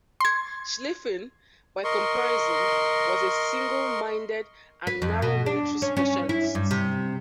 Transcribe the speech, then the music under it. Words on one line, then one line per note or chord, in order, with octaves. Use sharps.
Schlieffen, by comparison, was a single-minded and narrow military specialist.
C6 G#6
A#4 D#5 C6 C#6
B4
F2
B2
D4
C#4
C#4
E4
G2
C3